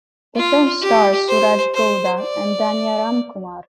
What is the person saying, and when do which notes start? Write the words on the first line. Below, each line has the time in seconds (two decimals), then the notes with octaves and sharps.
The film stars Suraj Gowda and Dhanya Ramkumar.
0.36 F4
0.82 G4
1.28 C5
1.74 C5
2.20 D5